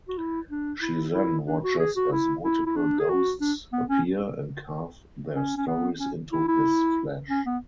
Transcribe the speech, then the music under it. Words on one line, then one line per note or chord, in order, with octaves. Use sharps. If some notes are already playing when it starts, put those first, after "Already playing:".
She then watches as multiple ghosts appear and carve their stories into his flesh.
F#4
E4
D4
E4
E4
D4
F#4
G#4
F#4
E4
E4
E4
D4
G#4
F#4
D4
B3
C#4
C#4
C#4
B3
C#4
E4
E4
C#4
B3